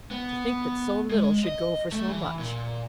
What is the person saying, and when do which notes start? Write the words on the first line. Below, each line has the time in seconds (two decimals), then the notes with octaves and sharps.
'To think that so little should go for so much!
0.11 B3
1.11 G#3
1.44 D#5
1.92 A3
2.08 E3
2.39 A#2